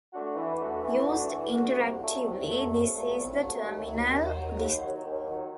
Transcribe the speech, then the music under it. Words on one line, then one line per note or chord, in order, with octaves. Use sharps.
Used interactively, this is the terminal display.
A3 D4 F#4
E3
A3 D4 F#4
E3
A3 D4 F#4
E3
A3 D4 F#4
C2
A#2 F#3 A3
C2
A#2 F#3 A3
C2
A#2 F#3 A3
C2
A#2 F#3 A3
D#2
D#3 F#3
D#2
D#3 F#3
D#2
D#3 F#3
D#2
D#3 F#3